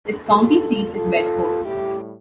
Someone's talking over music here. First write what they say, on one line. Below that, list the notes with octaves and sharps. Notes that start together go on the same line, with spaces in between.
Its county seat is Bedford.
B2 G3 F4 A4
F4 A4
A2 G3 E4 G4